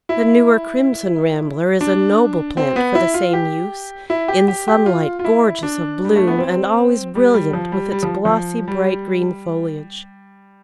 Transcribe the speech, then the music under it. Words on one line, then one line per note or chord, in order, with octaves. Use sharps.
The newer Crimson Rambler is a noble plant for the same use, in sunlight gorgeous of bloom, and always brilliant with its glossy bright-green foliage.
E4
D4
C4
B3
E4
F4
G4
E4
G4
G4
G4
F4
F4
E4
D4
G3
A3
B3
C4
G3
G3
F3
G3
G3
F3
F3
G3